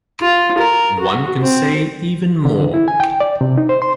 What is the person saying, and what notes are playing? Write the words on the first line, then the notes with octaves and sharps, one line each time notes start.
One can say even more.
F4
A#4
F#4
C4
D3
E4
G#5
G5
D5
C3
D#4
C5
C6